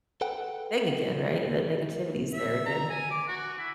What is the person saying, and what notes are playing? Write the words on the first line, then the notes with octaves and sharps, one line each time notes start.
thing again, right? That negativity is there again.
A4 B4 F#5 G5
E5
A#5
G#5
D6
F#4
E4